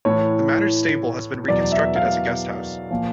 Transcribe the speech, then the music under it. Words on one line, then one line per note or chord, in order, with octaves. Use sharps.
The manor's stable has been reconstructed as a guesthouse.
A2 E3 C#5
E2 B2 F#3 D5
E5
F5
A#2 F3